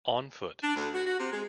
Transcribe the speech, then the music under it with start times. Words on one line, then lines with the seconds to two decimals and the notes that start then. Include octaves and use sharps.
On foot.
0.63 D4
0.76 D2
0.94 F#4
1.07 F#4
1.20 C3
1.32 G#3